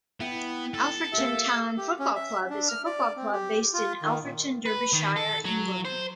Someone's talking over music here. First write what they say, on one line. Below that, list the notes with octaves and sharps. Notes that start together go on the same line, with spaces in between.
Alfreton Town Football Club is a football club based in Alfreton, Derbyshire, England.
B3 E4 G5
A4
A#3 G4 E5
G4
C#4
E5
D4
F6
D5
C4
G4
F4
D#3
A#2
B4
D#3
A4
F#3
C5